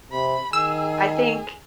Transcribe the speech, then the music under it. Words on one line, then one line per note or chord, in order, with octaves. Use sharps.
I think
C3 B5
D#3 G#4 E6